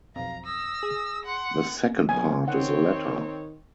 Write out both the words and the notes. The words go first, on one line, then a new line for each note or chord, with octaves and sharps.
The second part is a letter.
B1 F2 F5 A#5
D#6 E6 A#6
G#4
F#5 C6
B1 G#5
D#3 C4 C#5 F#5